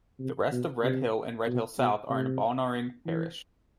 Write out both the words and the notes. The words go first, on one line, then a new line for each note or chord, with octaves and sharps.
The rest of Red Hill and Red hill South are in Balnarring parish.
C3
B2
C3
B2
B2
C3
E3